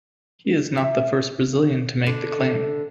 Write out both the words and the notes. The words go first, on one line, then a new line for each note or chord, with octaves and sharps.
He is not the first Brazilian to make the claim.
E5
D3